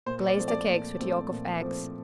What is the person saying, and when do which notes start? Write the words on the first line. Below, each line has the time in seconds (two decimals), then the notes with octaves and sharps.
Glaze the cakes with yolk of eggs.
0.06 A#2 C5
0.27 D5
0.37 F3 A3 C4
0.48 D5
0.69 A#2
0.99 F3 A3 C4
1.31 A#2
1.61 F3 A3 C4